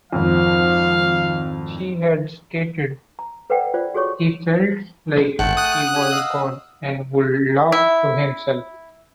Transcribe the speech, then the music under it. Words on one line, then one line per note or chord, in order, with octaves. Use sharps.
She had stated, He felt like he was God and would laugh to himself.
G#1 F2 F3 F5
A#5
A4 B4 C5 D5 F#5 G5
F4 C5 D5
F#4 G#4 A4 C#5 C#6
G#1 A3 F#5 G5 A5
D#6 F#6
G4 G#5
D#5 F5 E6
E4